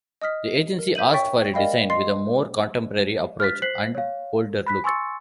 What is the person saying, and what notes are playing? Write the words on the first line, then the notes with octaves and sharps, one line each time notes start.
The agency asked for a design with a more "contemporary approach" and "bolder look".
D#5 D#6 F6 B6
A#4
E5 G6 D#7 F#7
C#5 G5 C#6 A6 B6
A#4 D5 D#5 F5 G5 B5
D#5 C6 A6 C7
F6 F#6 A6 B6
C5 F#6 B6 C7 F#7
C#5 F5
B5 F#6 B6
G#5 C6 C#6 E6 A6 C#7